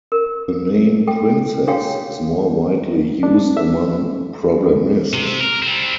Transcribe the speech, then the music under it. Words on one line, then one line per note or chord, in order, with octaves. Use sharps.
The name princess is more widely used among problemists.
A#4
A4 G5
D4 F#4 G#4 C#5 F5 G5
D4
E5
C3
A#4
G3 C4